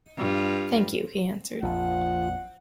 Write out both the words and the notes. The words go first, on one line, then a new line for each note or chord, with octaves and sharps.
"Thank you," he answered.
G2 F4
A#1 F2 F3 F#5